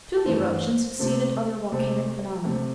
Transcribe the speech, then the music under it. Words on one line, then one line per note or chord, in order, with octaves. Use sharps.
To the eruption succeeded other volcanic phenomena.
A4
G2 E3 A3 C5
C3 A3 C4
C3 A3 C4
C3 A3 C4